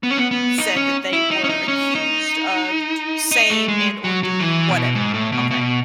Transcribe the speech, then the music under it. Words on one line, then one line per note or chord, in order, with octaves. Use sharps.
said that they were accused of d saying and/or doing whatever, okay,
B3
C#4
B3
B3
D#4
C#4
E4
D#4
C#4
D#4
C#4
D#4
D#4
A3
G#3
F#3
F#3
E3
B2
G#2
A2
B2
B2